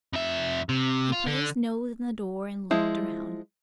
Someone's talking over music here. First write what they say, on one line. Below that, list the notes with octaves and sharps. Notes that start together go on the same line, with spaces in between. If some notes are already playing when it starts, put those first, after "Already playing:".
He put his nose in the door and looked around.
F2 E5
C3
F4
D3
F3 G#3 E4